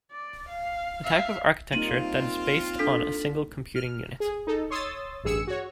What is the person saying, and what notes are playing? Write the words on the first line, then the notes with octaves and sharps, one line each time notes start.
A type of architecture that is based on a single computing unit.
D5
F5
E5 F5
G3 A#3 C4 D#4 F4 D#7 F#7
D4 A4 B6
F6
G#4
D#4 A4
C#5 C6 D#6 E6 A6
A1 G2 G#4 E6 C#7 E7
F#4 C#5